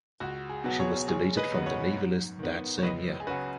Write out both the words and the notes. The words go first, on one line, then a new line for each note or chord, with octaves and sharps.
She was deleted from the Navy list that same year.
C#2 F#4
G#4
B2 F#3 B3
G#4 C#5
F#1 G#4 C#5
B4 D#5
F#2 C#3 B3
C#5 F#5
G#2
D#3 B3
C#5
C#2 B4 D#5
G#4
C#3 F#3 C#4 F#4 B4